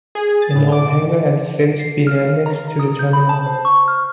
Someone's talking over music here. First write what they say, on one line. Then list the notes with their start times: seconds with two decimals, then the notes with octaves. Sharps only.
An old hangar has since been annexed to the terminal.
0.15 G#4
0.29 G#4
0.42 A6
0.55 A2
0.72 D6
1.79 C7
2.07 F6
2.46 A#5
2.80 D#6
2.99 G6
3.13 B5
3.29 A5
3.46 C5
3.65 C#6
3.88 F6